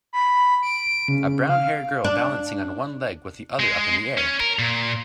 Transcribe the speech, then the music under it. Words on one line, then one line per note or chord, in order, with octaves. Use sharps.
A brownhaired girl balancing on one leg with the other up in the air.
B5
D7
C#3
F5
D4
G#3
C#4
A#4
A#2